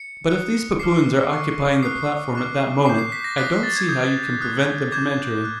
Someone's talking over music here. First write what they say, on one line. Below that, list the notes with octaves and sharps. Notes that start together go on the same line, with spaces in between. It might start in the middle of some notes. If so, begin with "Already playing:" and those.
"But if these Papuans are occupying the platform at that moment, I don't see how you can prevent them from entering."
Already playing: C#7
D#6 F#6
D6 F6 C7
C#6 F6
D#6 F#6 C7
D6 F#6
D6 G6 C7
C7
B6
A#6
D#6 F#6 B6
A#6
A6
G#6
D#6 G6 G#6
D#6 F#6
D6 G6 G#6
F#6